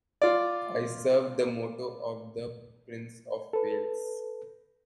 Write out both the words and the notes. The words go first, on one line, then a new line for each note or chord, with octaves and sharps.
I serve the motto of the Prince of Wales.
F4 D5
A4 B4